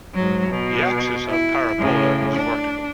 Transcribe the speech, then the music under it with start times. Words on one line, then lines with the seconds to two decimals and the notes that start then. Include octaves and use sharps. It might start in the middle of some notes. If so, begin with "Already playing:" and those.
The axis of the parabola is vertical.
0.14 G#2 F#3
0.50 B2
1.28 E4
1.79 A2 C#3
2.36 D4